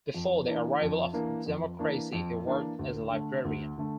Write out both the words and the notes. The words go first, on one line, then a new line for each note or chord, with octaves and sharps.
Before the arrival of democracy he worked as a librarian.
F2
E3 A#3 D4
F2
E3 A#3 D4
F2
E3 A#3 D4
F2
E3 A#3 D4
D2
D3 A3
D2
D3 A3